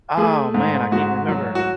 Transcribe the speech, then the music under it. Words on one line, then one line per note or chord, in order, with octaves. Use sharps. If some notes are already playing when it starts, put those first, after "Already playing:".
Oh, man. I can't remember
A3 G#4
G#2
G#2 F#4
F#3
F#4